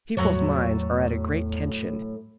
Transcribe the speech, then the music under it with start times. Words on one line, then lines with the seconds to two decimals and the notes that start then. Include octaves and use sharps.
The people's minds are at a great tension.
0.17 E2 A2 F#3 C#5